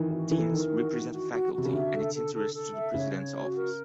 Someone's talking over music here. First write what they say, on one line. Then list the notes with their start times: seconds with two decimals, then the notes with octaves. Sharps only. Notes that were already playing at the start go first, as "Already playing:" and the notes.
Deans represent a faculty and its interests to the president's office.
Already playing: D#3 E3
0.11 E3 F#4
0.30 E3 A4
0.51 D#3 A#4
0.59 E3
0.66 D#3
0.72 F#4
0.91 F#4
1.12 F#4
1.33 F#4
1.53 C3 F#4
1.65 C#3
1.72 D3 E5
1.93 A4
2.14 A4
2.34 A4
2.54 A4
2.74 E5
2.94 C#3 C#5
3.15 C#5
3.35 F#4
3.55 A#4